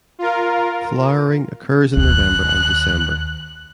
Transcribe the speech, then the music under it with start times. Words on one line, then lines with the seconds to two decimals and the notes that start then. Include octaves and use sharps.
Flowering occurs in November and December.
0.19 F4 A#4
1.97 D#2 F#6